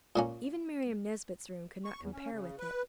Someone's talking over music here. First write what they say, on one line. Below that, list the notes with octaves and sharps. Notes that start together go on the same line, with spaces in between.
Even Miriam Nesbit's room could not compare with it.
A#2 A#3 C#4
C#6
E2
C#4
C#3
B4